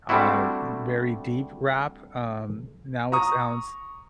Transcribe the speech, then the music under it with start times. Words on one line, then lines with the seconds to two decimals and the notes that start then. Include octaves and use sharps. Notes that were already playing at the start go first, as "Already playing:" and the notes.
uh, very deep rap, um, now it sounds
0.09 G3 A3 C4 D4 E4 F#4
3.12 A#5 C#6 D#6